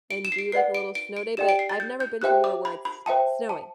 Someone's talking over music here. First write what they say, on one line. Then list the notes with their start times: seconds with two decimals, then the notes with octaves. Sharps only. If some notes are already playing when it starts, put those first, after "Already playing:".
and do, like, a little snow day, but I've never been somewhere where it's snowing.
0.11 D7
0.25 E7
0.32 C7
0.39 D7
0.52 B4 D5 F#5 C7
0.75 D7
0.95 D7
1.17 D7
1.37 G4 D5 G5 E7
1.49 D7
1.59 C7
1.69 A6
1.80 G6
2.00 G6
2.22 G4 C5 E5 G5 F#6
2.44 D6
2.65 B5
2.85 B5
3.06 C5 E5 G5 A5
3.49 A5